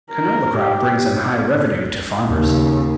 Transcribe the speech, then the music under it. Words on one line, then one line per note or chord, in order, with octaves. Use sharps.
Canola crop brings in high revenue to farmers.
A#4
G4
D#2 C#3